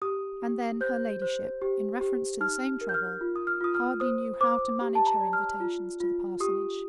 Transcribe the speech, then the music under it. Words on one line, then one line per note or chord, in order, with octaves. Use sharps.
And then her ladyship, in reference to the same trouble, hardly knew how to manage her invitations to the parsonage.
G4 D#6
G4
C5 G6
C5
G4
G4
D#4 F6
A#4
G6
F6
F4
D#6
F6
F4 D#6
F6
C5 D#6
C5 D6
G4
A5
A#5
D5
F6
F4
F4
G4 D#6